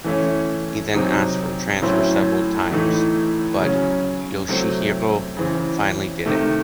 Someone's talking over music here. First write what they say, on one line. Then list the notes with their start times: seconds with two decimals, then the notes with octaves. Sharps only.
He then asked for transfer several times, but Yoshihiro finally did it.
0.04 E3 A3 C#4 E4
0.94 C3 F#3 C4 D#4 G#4
1.82 A2 F#3 C#4 E4 C5
2.71 A2 E3 A3 D#4
3.60 C#3 F#3 C#4
4.48 C3 F#3 A3 C4 E4
5.37 C#3 E3 C4
6.26 C3 D#3 A3